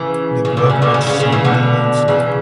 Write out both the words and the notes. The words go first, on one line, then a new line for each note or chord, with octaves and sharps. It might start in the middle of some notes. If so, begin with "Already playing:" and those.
The block looks same to Old Slab.
Already playing: C#3 E3
C#3
B2 D3
C#3
B2 D3
C#3
C#3
C#3
C#3 E3
B2 D3
C#3 E3